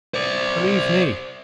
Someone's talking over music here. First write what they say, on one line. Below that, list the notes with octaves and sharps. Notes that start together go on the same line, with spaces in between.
Believe me!
C5 D5